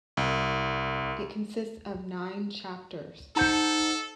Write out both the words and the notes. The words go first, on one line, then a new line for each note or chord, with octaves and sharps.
It consists of nine chapters.
C2
D#4 A4 C5 F#5 A5